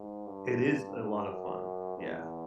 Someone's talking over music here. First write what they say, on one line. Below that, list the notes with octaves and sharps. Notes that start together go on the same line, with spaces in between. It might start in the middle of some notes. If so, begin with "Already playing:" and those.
It is a lot of fun. Yeah.
Already playing: G#2
G2
F#2
E2